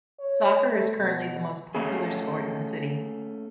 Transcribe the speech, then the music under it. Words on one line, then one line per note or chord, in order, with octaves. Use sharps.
Soccer is currently the most popular sport in the city.
C#5
A3
B2
A3 A#3 C#4 G#4